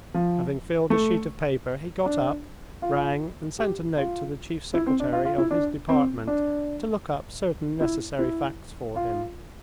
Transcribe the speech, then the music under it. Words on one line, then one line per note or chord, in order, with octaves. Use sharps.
Having filled a sheet of paper, he got up, rang, and sent a note to the chief secretary of his department to look up certain necessary facts for him.
F3
A3
D4
F4
G4
F4
E4
C4
D4
F4
F4
E4
D4
C4
D4
E4
E4
F4